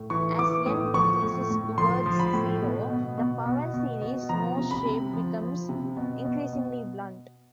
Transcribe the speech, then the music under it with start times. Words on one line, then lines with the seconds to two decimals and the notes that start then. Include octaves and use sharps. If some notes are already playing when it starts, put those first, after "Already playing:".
As "n" decreases towards zero, the power series nose shape becomes increasingly blunt.
Already playing: A2
0.10 E3 C#6
0.38 E3 D6
0.66 A2 D#6
0.94 F3 C#6
1.22 A2
1.50 A2
1.78 F3 C6
2.06 F3
2.19 B5
2.33 A2
2.61 B2
2.90 B2
3.18 B2
3.46 B2
3.74 B2
4.02 B2
4.29 F3 A#5
4.57 C3
4.71 B5
4.86 C3
5.13 F3
5.42 F3
5.69 C3
5.97 B2
6.25 B2
6.53 B2